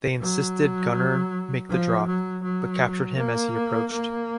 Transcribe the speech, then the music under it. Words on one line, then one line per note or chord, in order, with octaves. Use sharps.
They insisted Gunnar make the drop, but captured him as he approached.
F#3
F3
F#3
F#3
A#3
A#3